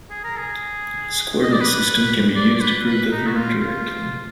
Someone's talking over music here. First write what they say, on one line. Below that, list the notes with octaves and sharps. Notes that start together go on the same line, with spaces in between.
This coordinate system can be used to prove the theorem directly.
G#4
A#4
G#4
D#5
D5
B4
D5
D5
B4
B4
D#4
F#4
F4
F4